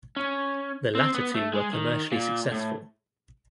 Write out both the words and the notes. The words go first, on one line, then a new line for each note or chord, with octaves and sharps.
The latter two were commercially successful.
C#4
C4
B3
A3
G#3
D#3
A#2
A2